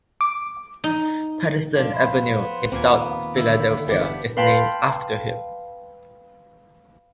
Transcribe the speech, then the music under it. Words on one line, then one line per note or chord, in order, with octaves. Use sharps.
Pattison Avenue in South Philadelphia is named after him.
D6
D#4
F3 D4
B3 C5 B5
D#2 A#2 A#3 C4 G#5
D3 D#3 E4
G1 E3 B3 D4 G4
B4 F5 G5 A5 B5 C6